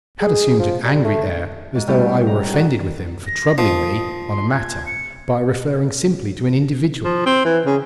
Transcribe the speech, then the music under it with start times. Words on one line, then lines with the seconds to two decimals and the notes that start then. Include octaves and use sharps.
I had assumed an angry air, as though I were offended with him, for troubling me on a matter by referring simply to an individual.
0.21 G#4
0.59 F3
0.84 G3
1.05 A3
1.75 G#2
1.87 A2 G3 C#4 E4 F#4 G4
2.27 A#5
2.51 F#4 G#4
3.27 A#6
3.58 F3 D#6
4.30 C6
4.52 G#6
4.86 C#7
7.04 F3
7.26 C4
7.45 E3
7.66 C#3